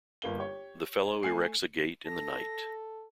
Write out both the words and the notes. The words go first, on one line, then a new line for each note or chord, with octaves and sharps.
The fellow erects a gate in the night.
G1 A#3 G7
G4 C#5
A3 G#5 C7
A4 A#6